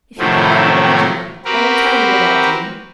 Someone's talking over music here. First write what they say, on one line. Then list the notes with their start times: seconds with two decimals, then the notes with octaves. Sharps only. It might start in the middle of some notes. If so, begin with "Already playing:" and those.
If you call in your regiment I will tell you what I'll do.
0.18 A2 C3 D#3 F3 F#3 A3
1.45 C4 F#4 G4 A#4 B4